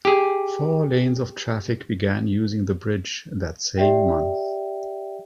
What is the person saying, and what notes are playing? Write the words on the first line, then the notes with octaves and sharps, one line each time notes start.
Four lanes of traffic began using the bridge that same month.
G4 G#4
G4 D5 E5 G5